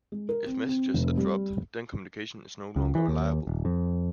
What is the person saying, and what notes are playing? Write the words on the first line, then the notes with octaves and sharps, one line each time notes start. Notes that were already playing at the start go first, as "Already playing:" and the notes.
If messages are dropped, then communication is no longer reliable.
G#3
A#4
C4
C4
F1
G3
C#2
E3
D#2
D#1
F2